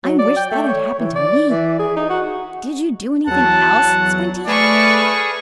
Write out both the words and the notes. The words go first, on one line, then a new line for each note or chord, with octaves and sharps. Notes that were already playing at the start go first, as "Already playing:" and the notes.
"I wish that had happened to me. Did you do anything else, Squinty?"
F#3
D5
G5
A3
C#5
E3
D5
E3
G#4
D#4
F#4
E2 F#3 F#5 A5
A3 G#4 B4 D5 C#6 F6 E7